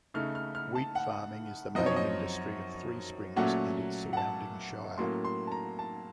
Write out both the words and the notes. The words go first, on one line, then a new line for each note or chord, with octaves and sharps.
Wheat farming is the main industry of Three Springs and its surrounding Shire.
C#3 A3 D#4 F6
F6
F6
A5
F#5
F#2 F3 C4 D#4 D#5
C#5
D#5
A#2 F#3 A3 C#4 F#5
F#5
A5
A2 F#3 A#3 C#4 C6
C6
A5
A#5
A5